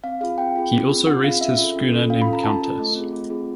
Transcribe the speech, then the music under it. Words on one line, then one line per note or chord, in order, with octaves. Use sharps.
He also raced his schooner named "Countess".
C4 F5
F4 G#4 F5
C4 G5
F4 G#4
C4
F4 G#4
C4 F#5
F4 G#4 F5
C#4 E5
F4 A4
C#4
F4 A4
C#4 F5
B5
F4 A4
A#5
C#4 A5
F4 A4
A3
C4 F4 G#4
A3
C4 F4 G#4